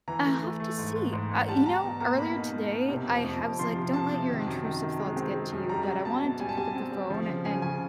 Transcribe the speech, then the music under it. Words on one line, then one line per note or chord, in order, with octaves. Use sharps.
I'll have to see, I you know, earlier today, I ha was like, "Don't let your intrusive thoughts get to you," but I wanted to to pick up the phone a and,
E3 A#5
A3
A3
A3
G#2
G#2
G#2
G#2
G3 A5
B2 A#5
B2
A#3 A#5
B2 B5
D#4
B2
B2
C3
F2
F2
F2
F3 C6
C3
C3 A5
C3
D#3
F#2
D#3
D#3
G#3
C4
G#3
F#2
G3 A#5
G3
B2 A5
B2
G3 G#5
A5
G3 G#5
C4
G3
F3
C#3
C#3 G#5
C#3 G#5